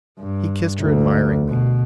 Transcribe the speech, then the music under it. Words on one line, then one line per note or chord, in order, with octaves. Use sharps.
He kissed her admiringly.
G2
D2
B2